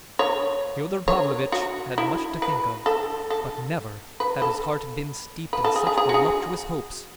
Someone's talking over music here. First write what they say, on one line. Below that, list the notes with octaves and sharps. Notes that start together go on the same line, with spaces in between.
Fyodor Pavlovitch had much to think of, but never had his heart been steeped in such voluptuous hopes.
C#5
C#5
F#4
E4
B4
A4
A4
B4
A4
B4
A4
G#4
G#4
G#4
F#4
G#4